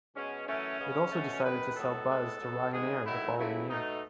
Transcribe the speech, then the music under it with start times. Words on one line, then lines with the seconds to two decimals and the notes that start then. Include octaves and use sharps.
It also decided to sell Buzz to Ryanair the following year.
0.15 B2 G#3 B3 C#4
0.47 F#2 E3 A3 C#4
0.79 C#3 G#3 B3
1.12 B2 A3
1.44 F#2 D#3 G#3 B4
1.76 A2 F#3 B3 A4
2.08 A2 G#3 B3
2.40 B2 F#3 B3
2.72 G#2 D#3 G#3 B3 G#4
3.05 G#2 D#3 F#3 A3 E4
3.37 F#2 C#3 E3 A3 E4
3.69 B2 A3 D#4